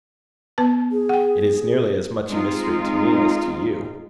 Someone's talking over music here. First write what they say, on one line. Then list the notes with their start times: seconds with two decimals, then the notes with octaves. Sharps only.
"It is nearly as much a mystery to me as to you."
0.58 B3 B4 A5
0.92 G#4
1.09 F#5 G5
2.29 G#3 C4 D#4 F4